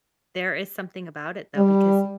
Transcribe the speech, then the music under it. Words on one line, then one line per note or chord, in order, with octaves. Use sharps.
there is something about it, though, because
G3